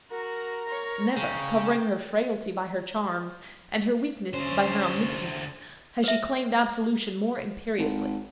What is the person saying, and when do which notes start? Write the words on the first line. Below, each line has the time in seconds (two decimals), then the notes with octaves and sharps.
Never, covering her frailty by her charms, and her weakness by her omnipotence, has she claimed absolution more imperiously.
0.11 F#4 A#4 A#5
0.69 C#5
1.17 C#3 G5 C#6
4.34 D3 C#4 C5
6.04 B4 E5
7.78 G#1